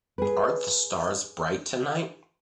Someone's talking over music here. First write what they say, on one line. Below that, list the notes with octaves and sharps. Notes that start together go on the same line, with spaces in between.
Aren’t the stars bright tonight?
G#4 B4